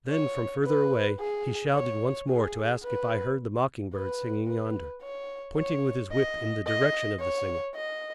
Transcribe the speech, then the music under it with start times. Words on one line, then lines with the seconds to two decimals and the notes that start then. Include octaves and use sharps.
Then, from further away, he shouted once more to ask if I heard the mocking-bird singing yonder, pointing with his whip in the direction of the singer.
0.11 C#5
0.65 B4
1.20 G#4
1.74 C#5
2.29 G#4
2.83 B4
3.94 B4
4.48 B4
5.02 C#5
5.56 C#5
6.12 D#5
6.67 D#5
7.20 C#5
7.75 D#5